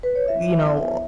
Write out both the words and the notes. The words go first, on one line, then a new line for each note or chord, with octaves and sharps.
you know,
B4
C#5
E4 E5
B3